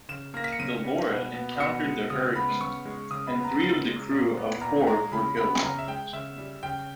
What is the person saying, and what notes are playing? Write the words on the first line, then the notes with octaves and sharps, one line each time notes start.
The "Laura" encountered the hurricane, and three of the crew of four were killed.
C#3 E7
A#3 A#6
B6
C#7
C#3 D#7
G3
B2
B3
B2 C#7
G#3
C#3 D#6
B3 B5
C#3 C#6
G#3
C#3 D#6
B5
B3
A#5
C#3
G#3
A#2
B3
A#2 A#5
G#3 A#5
C#3 B5
B3 B5
G#5
C#3 A#5
E5
G#3 G5
C#3 E5
G3
C#3 G5